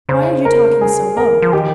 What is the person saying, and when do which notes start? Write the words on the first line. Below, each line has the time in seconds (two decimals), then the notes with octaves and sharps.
Why are you talking so low?
0.09 C#3 C5
0.45 A#4
0.81 G#4
1.17 A#4
1.42 F3
1.53 D#3 G4